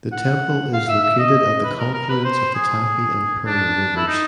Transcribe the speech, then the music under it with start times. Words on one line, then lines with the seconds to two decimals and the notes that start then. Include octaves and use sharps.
The temple is located at the confluence of the Tapi and Purna rivers.
0.12 F#5
0.73 F5
0.88 E5
1.03 E5
1.18 D#5
1.64 B4
1.79 A#4
1.94 A#4
2.09 B4
2.24 C5
2.54 G#4
3.46 D4
3.96 E4
4.07 D#4